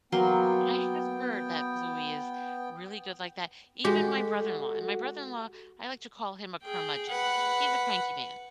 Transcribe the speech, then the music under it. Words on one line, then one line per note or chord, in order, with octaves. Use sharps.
I have heard that Bluey is really good like that, even my brother-in-law and my brother-in-law, I like to call him a "curmudgeon", he's a cranky man,
F#3 A#3 B3 G5 C6
G#3 F#4 G4 A4
G#4 G5
B4 F#5